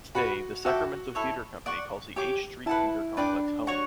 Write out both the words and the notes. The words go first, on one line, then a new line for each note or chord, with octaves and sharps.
Today, the Sacramento Theater Company calls the H Street Theatre Complex home.
F#4 B4 F#5 B5
F#4 A4 E5 G5 D6
E4 A4 C#5
D5 F#5 C#6
G4 C#5 G5 D6
E4 B4 F#5 A5
D4 B4 D5 G5 D6
F#4 C#5 F#5 C#6